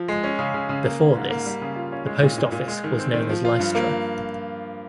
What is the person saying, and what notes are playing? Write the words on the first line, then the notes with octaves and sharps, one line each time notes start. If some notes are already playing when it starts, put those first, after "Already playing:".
Before this, the post office was known as "Lystra".
Already playing: F3
G#3
C#4
C#3
C#3
C#3
A#3
A#3
G#2
A#3
G3
C#3
F4
C#4
G#3
A#2
A#2
A#2
G#3
D#3
C4
D#3
F3
F4
G2
A#3